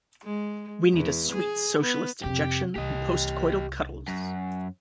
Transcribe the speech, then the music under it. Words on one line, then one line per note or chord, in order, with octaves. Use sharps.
We need a sweet socialist injection and post-coital cuddles.
G#3
E2
G#4
B3
F2 C3 G4
C2 G4 D#5
F#2